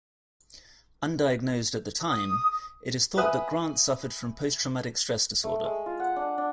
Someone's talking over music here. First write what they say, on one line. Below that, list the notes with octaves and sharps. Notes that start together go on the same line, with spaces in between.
Undiagnosed at the time, it is thought that Grant suffered from post-traumatic stress disorder.
D#6
B4 E5 G#5 D#6 F#6
A3
G#3
F4
F#5
D4
D4